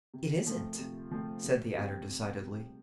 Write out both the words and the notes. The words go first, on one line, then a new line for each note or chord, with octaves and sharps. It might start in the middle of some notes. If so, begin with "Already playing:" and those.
"It isn't," said the Adder decidedly.
C3
F3 A3 C4 F4
C3
F3 A3 C4 F4
C3
G3 C4
C3
G3 C4